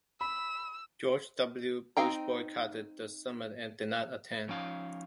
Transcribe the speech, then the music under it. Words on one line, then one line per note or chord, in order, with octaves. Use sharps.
George W. Bush boycotted the summit and did not attend.
B5 E6
C4 D#4 F5 G5 A#5
F3 C#4 D#4 F5